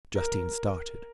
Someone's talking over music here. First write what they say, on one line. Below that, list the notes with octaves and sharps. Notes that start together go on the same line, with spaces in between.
Justine started.
A#4